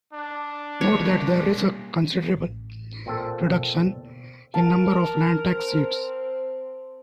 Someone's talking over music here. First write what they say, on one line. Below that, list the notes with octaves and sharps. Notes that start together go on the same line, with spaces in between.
Note that there is a considerable reduction in the number of Landtag seats.
D4
G3 A#3 C#5
A1
A#2 C4 A4
B2
A#4 A5
C4